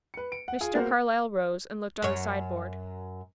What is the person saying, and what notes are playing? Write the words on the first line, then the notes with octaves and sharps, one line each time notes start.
Mr. Carlyle rose and looked on the side-board.
B4 C#7
D7
F#5
F4 G#4 G#5
A#3 B3 F#4 A#4 C5
F#2 C#5